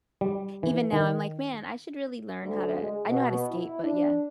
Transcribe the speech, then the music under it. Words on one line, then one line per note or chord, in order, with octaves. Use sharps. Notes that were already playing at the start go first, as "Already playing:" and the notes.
even now I'm like, "Man, I should really learn how to" I know how to skate, but yeah.
G3
E3
D#3
D2
G#3
B2
E4
D4